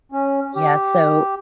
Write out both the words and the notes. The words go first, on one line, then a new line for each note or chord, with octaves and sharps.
Yeah, so
C#4
G4